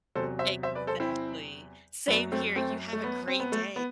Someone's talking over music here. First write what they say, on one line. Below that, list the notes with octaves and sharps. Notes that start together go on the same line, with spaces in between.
Exactly, same here. You have a great day.
E2 C3 F#3 A4 C5
C5 E5
C5 E5
B4 D5
A4 C5
C4 E4
F#2 F#3 B3 D4
A3 C4
A3 C4
A3
B3
C4
B3
A3
B3